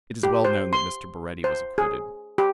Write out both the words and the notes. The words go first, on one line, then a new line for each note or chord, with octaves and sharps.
It is well known that Mr. Baretti was acquitted.
G4
C5
C6
C5
G#4
G4